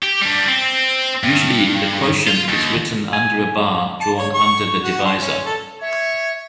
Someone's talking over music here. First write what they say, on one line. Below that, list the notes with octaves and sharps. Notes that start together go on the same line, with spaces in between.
Usually the quotient is written under a bar drawn under the divisor.
G4
G3 D4
C4
G2
F4
D#2
G#5
A5
C#5
C#6
F#4
C6
C#4
A4
C#5 E5